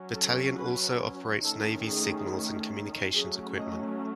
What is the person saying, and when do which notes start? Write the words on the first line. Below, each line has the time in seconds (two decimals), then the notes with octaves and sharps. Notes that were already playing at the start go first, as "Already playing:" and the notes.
Battalion also operates Navy's signals and communications equipment.
Already playing: F#3 C#4
0.14 A4
0.56 B4
1.42 D#3 A3 C#4 A4
1.85 G#4
3.14 F#3 A3 C#4 G#4
3.57 D#5